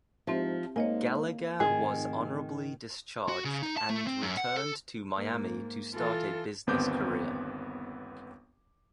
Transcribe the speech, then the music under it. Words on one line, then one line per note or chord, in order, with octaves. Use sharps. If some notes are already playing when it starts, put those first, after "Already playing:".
Gallagher was honorably discharged and returned to Miami to start a business career.
G#2 F3 C4 G4 E5
G#2 A#3 C#5 D#5 G#5
F1 G#2 D#3 G#4
F#4
C#3
D#4
A5
A3
C4
F#2
F#5
A4
G#2 A#3
E3 F4 A4
G1 D#2 B3 C4 D6 G6